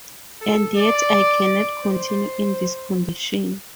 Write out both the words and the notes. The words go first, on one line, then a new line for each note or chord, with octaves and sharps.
And yet I cannot continue in this condition!
A4
D5
C5